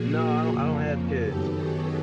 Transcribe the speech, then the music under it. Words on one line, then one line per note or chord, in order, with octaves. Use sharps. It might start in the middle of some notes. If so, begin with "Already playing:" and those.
No, I don't I don't have kids.
Already playing: A#2 F3 A#3 F#4 G#4
F2 C#3 F3 A#3
F#2 D#3 F#3 B3 G4 A4
F#4 G#4